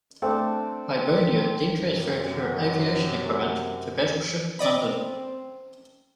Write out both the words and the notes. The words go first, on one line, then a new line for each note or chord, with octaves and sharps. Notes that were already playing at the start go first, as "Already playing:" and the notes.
"Hibernia" then transferred her aviation equipment to battleship "London".
A3 C4 D4
F#2 C3
C4 D5 D#5 B5